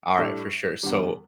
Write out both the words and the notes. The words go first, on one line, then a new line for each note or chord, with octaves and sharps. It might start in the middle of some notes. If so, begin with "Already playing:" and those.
All right, for sure, so,
A2 G3 D4 A4
E2 D3 G3